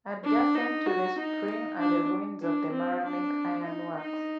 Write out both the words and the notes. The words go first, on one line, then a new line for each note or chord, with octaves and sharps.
Adjacent to the spring are the ruins of the Maramec Iron Works.
D4
D#4
F#4
D#4
D4
D4
C4
D4
D#4
D#4